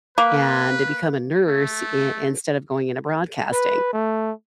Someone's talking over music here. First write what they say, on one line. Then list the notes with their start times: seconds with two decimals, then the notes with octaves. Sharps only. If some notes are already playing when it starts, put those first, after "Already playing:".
and to become a nurse i instead of going into broadcasting,
0.18 A#3 B4
1.48 A3
3.52 B4
3.93 A3